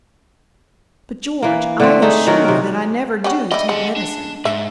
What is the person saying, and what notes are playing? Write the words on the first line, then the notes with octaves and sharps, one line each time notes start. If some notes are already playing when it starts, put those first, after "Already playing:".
"But, George, I assure you that I never do take medicine."
E3 A#3
D3 A3 C4
A3 D#4 G#4
D#3 F#3 F#4 A#4
C3 A#4
G3 C#4 F#4
G3 E4 D#5
G#3 A4 F#5
D4
G#2 E5